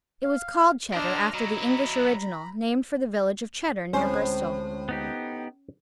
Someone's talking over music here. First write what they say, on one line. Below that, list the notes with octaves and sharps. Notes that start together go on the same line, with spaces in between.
It was called Cheddar after the English original named for the village of Cheddar near Bristol.
F5
D4 A#4 C5 D#5 F6
F#3 E4 D#5 A#5 B5
D2 A2 G#3 C4 C#4 C5
B3 D#4 G4